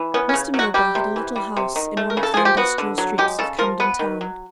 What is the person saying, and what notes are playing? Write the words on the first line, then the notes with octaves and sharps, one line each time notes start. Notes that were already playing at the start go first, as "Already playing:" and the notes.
Mr. Milburgh had a little house in one of the industrial streets of Camden Town.
Already playing: E3
B3 C#4
C#4
C#3
F#3
F#4
G3 G4
C3
E3
G3
C3
D#3
A3
A#4
C#3
A4
F3 G#4
G4
B3 F#4
D3
F#3
G#3 G4
C#3 A4
F3 A#4
B3 B4
D#3
F#3